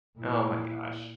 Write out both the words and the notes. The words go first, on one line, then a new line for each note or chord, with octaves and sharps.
Oh my gosh.
A#2 E4